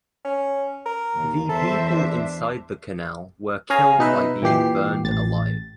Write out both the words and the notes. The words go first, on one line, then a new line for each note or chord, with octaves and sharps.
The people inside the canal were killed by being burned alive.
C#4
A#4
D#2
E2 A4 C5 E5
D4
C#4 G#4 F5 G#5 A#5
B2 D#4 B4 E5
A#2 E3 G4 C7
A1 A6